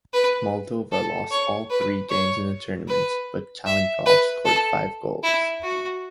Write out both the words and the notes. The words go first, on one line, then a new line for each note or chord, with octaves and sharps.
Moldova lost all three games in the tournament, but Calincov scored five goals.
B4
A4
C#5
B4
C#5
B4
E5
B4
A4
E4
F#4